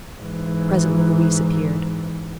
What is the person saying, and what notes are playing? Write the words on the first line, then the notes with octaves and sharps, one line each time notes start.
Presently Louise appeared.
G#2 E3